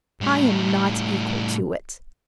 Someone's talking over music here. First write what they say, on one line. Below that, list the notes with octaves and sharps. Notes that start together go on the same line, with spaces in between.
I am not equal to it.
A2 G3